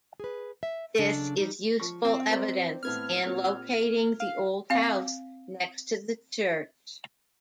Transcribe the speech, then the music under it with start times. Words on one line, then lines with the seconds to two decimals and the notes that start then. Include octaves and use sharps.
This is useful evidence in locating the old house next to the church.
0.20 G#4 B4
0.63 E5
0.98 C#3 F#3 D4 A4
1.38 G3 D#4
1.80 F3 C#6
2.05 C4
2.29 A#4 C5 D5
2.83 A2 B3 C4 F6 G#6
3.24 A#2 C4 C#5
4.20 F5
4.70 C4 F5